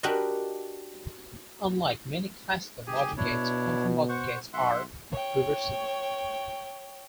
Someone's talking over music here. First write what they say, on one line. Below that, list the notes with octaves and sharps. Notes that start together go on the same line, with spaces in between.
Unlike many classical logic gates, quantum logic gates are reversible.
D4 F#4 G4 A#4 B4 D#5
G1 G4 G#4 G#5
B2 D4 E4 C#5
C5 F#5 C#6
B1 E5 F#5 C6
C#5 G5